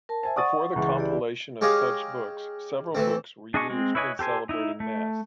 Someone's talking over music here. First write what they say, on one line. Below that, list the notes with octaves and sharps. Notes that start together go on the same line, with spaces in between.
Before the compilation of such books, several books were used when celebrating Mass.
A#4 A5
C5 E5 G#5 A5
D5 F#5 C#6 D#6 A6
C#2 E3 G#3
E4 G4 D5
G#3 G4 C#5 D#5 F5
E3 A3 C4
D4 G#4 D#5 G#5 C#6
G#3 C4
E4 B4 C#5 D#5 G#5
G4 A4 C5 G#5
D#4 E4
A3